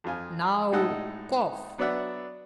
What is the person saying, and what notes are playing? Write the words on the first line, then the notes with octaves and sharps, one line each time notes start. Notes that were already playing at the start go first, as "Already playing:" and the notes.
"Now cough."
F2 F3 F4 G#5
A2 G#3 D#4 F#5 A5 E6
F#3 B3 D4 D5 E5 F#5